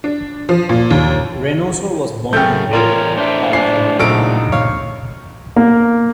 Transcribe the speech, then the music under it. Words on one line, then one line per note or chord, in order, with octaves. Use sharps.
Reynoso was born in Brea, California.
D4
F3
A#2
D#2
F#2 C#3 A3 G5 G6
E2 F3 F4 A#4 C#5 D5
A2 D4 C5 E5
B1 D4 G#5 C7
A#1 C#3 F#3 D#4 A4 D7
C#5 F5
A#3